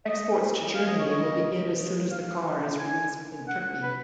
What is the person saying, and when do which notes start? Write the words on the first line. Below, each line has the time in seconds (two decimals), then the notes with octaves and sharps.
Exports to Germany will begin as soon as the car is released in Turkey.
0.07 D#5
0.74 F5
0.87 D#5
0.99 C#5
1.12 D#5
2.11 F5
2.28 F5
2.79 G#5
3.48 F#5
3.82 B4